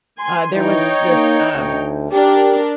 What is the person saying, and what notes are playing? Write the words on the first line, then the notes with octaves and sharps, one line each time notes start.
uh, there was this, um,
G#5 C6
E3 D#4 C#5 G5
A#3
D2
D4 G4 A#4